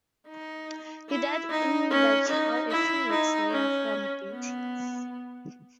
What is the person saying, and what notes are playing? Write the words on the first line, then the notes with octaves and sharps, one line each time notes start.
He died in Dachau a few weeks later, from beatings.
D#4
E4
D#4
C#4
D#4
E4
D#4
C#4
B3